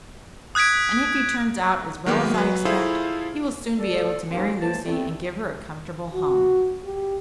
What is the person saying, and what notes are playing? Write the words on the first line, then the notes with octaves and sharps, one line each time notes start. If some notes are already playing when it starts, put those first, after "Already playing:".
And if he turns out as well as I expect, he will soon be able to marry Lucy and give her a comfortable home.
D#6 F#6 G#6 B6 D7
D#3 F#3 G#3 A#3 B3 D#4
F#3 B4
E4 F4 G#4 A4 C5 F5
A4 D5
A#3 C4 C#4 D#4 G4 A#4
A2 E3 A#3 C5 A5
G3 A3 B3 C4
F#4
G4